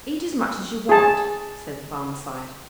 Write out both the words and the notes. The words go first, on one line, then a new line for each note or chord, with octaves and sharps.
"Eat as much as you want," said the Barmecide.
G#4 A5